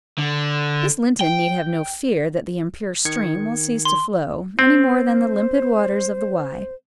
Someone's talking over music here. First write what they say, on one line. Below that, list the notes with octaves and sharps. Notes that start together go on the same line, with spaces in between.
Miss Linton need have no fear that the impure stream will cease to flow, any more than the limpid waters of the Wye.
D3
G5
D#3 G#6 C#7
C6
C4 C5